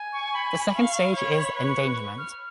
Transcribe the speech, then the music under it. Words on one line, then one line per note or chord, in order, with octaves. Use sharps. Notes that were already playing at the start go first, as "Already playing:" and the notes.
The second stage is "endangerment".
Already playing: G#5
C#6
B5
F5 C#6
C#5 B5
B5
B4 C#6
F6